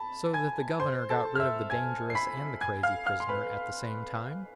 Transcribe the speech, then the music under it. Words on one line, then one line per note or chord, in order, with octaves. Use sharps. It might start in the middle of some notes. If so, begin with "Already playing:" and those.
"So that the governor got rid of the dangerous and the crazy prisoner at the same time?"
Already playing: A5 B5
G#5 G#6
C5 C6
A4 A5
F6
E5 E6
G#5 G#6
C7
B5 B6
G#5 G#6
F5 F6
F5 F6
C6
B4 B5